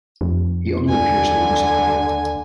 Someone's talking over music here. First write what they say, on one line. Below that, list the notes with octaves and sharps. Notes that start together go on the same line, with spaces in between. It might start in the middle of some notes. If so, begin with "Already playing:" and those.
He only appears in the music video.
F2
D#2 D3 G#5